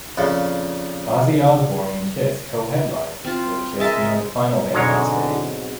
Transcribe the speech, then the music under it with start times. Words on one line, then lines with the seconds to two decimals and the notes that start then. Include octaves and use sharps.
Ozzy Osbourne and Kiss co-headlined with Kiss being the final band on stage.
0.18 F2 A#2 C#3
3.25 C4 F4
3.80 G#3 A#4 D#5 E5 A5
4.74 G#2 B2 D3 F#3 G#3 C4 C#5